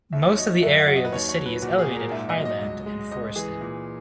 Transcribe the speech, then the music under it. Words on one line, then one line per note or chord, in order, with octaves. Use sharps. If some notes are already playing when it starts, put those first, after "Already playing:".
Most of the area of the city is elevated highland and forested.
D#2 E5
C#5
F#3 D#5
F#2 E5
F#5
F#3
D#5
B4
D#2 C#5
C#5
F#3
B4
A#2 F#4
G#4
A#2
A#4
G#2 E5
D#5
F#3
D#5
C#2
G#3
C#2 D#5
E3 G#4
A#2